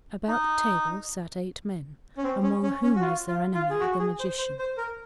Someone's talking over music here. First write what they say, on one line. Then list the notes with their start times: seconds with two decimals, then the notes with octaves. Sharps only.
About the table sat eight men, among whom was their enemy, the magician.
0.28 D#4
2.17 C#4
2.23 C4
2.43 C#4
2.63 C#4
2.83 C#4
2.96 F#4
3.01 F4
3.28 F4
3.54 F4
3.70 G#4
3.80 F#4
3.99 G#4
4.20 C5
4.38 C5
4.59 C5
4.77 A#4